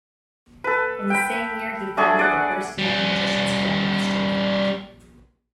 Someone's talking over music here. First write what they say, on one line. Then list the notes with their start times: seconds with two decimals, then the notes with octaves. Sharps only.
In the same year he founded the first Young Magician's Club in Austria.
0.64 A4 B4
1.10 G5 B5
1.97 A3 D4 G#4
2.19 D5 F#5
2.79 G3 C#4